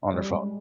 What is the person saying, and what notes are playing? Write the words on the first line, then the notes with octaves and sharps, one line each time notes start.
"on their phone
G3
G#3